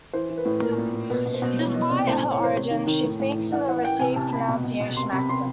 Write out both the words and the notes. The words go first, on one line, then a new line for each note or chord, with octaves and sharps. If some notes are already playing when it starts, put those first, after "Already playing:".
Despite her origins, she speaks with a received pronunciation accent.
E3 C5
E3
B4
A2
A#2 A#4
A#2
A#2
B2 B4
B2
C5
B2
E3 C#5
E3 D#5
C3 D5
A2 C5
A2
C#5
E3
C5
C3 C#5
D#3
D#3
A2
A2
E3
E3 F#5
E3 F#5
F#5
E3 G5
C3 G#5
C3 A5
C3 B5
B2
B2
B2
C3 C6
C3 B5
C3 C6